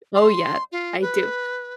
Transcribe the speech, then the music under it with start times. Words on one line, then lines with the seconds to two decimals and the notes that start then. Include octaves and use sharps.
Oh, yeah. I do.
0.15 C6
0.72 F4
1.02 B4